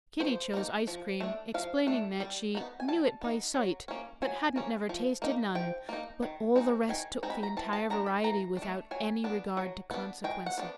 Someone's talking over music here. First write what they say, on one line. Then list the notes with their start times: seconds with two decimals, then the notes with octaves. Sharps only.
Kitty chose ice-cream, explaining that she knew it "by sight," but hadn't never tasted none; but all the rest took the entire variety, without any regard to consequences.
0.20 F3 C5
0.53 A#3 D#4
0.87 F3
1.20 A3 D4
1.54 F3 F5
1.87 A3 D4
2.20 G3
2.55 B3 D#4
2.80 G#5
2.88 G3 A5
3.21 B3 D#4
3.54 F#3
3.88 A#3 C#4
4.22 F#3 G#5
4.56 A#3 C#4
4.89 F3
5.22 A#3 D#4
5.55 F3 G5
5.89 A#3 D#4
6.22 D#3
6.56 G#3 C4 D#4
6.89 D#3 G#5
7.23 G#3 C4 D#4
7.30 B5
7.43 A#5
7.57 E3 A5
7.73 A5
7.90 A3 D4 A#5
8.06 B5
8.24 E3 A#5
8.57 D4
8.62 A3
8.91 F#3 G#5
9.24 B3 D4
9.57 F#3
9.91 B3 D4
10.24 G#3 G5
10.46 F#5
10.58 B3 D4